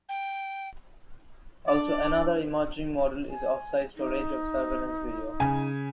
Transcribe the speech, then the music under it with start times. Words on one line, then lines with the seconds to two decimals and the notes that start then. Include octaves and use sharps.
Also another emerging model is off-site storage of surveillance video.
0.09 G5
1.68 D4 D5
3.30 G#5
3.97 D#4
5.40 C#3 G#5